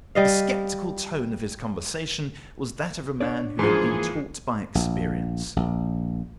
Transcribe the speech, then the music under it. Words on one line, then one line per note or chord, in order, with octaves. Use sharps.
The sceptical tone of his conversation was that of a man who had been taught by experience.
G3 D#5 F5
D4 C#5 D5
G#2 E3 F3 A#3 G#4
A#1
A#1